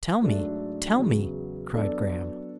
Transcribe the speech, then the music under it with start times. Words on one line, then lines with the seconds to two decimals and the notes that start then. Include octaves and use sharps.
"Tell me, tell me!" cried Graham.
0.21 G#2 F#3 A3 D4 A4
0.97 E2 C#3 F#3
1.74 F#3 B3 D4 A4 D5